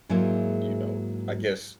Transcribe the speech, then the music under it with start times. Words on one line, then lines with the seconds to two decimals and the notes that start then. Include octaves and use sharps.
you know I guess
0.09 G#2 F#3 G#3 A#3 E4 F4